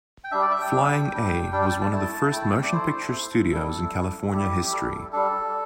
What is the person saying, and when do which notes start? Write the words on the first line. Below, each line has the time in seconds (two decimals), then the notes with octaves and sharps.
Flying A was one of the first motion pictures studios in California history.
0.24 G5
0.31 G3 D4 E5
0.42 D5
0.51 E5
0.61 G5
0.71 G3 D4
1.12 G3 D4
1.52 G3 D4 G5
1.62 G5
1.71 A5
1.81 A5
1.92 A3 E4 A5
2.31 A3 E4 G5
2.42 A5
2.52 G5
2.62 D5
2.72 A3 E4 C5
3.12 A3 E4 A4
3.52 G3 E4 A4
3.93 G3 E4
4.33 G3 E4 G4
4.62 G4
4.72 G3 E4 A4
5.12 G3 D4 A4